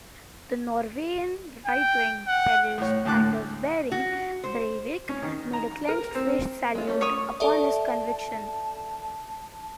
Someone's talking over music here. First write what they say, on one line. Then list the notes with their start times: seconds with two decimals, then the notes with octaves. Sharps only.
The Norwegian right-wing terrorist Anders Behring Breivik made a clenched-fist salute upon his conviction.
1.67 G5
2.27 F#5
2.78 A2 C#5
3.05 D2 A2 A5 D6 F#6
3.92 F#4
4.44 C5
5.09 C#4
5.22 D#3
5.53 A#5
5.88 A#4
6.15 C4
6.75 G#3 F4
6.87 A3 C#4
7.01 C#5 C#6 D#6
7.40 A4 D5 E5 A5